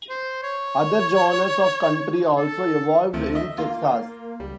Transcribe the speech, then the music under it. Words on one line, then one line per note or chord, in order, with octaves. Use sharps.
Other genres of country also evolved in Texas.
C5
C#5
A4
D2 C3 F3 A3
D#5 E5
A#3 F4
C#2 G3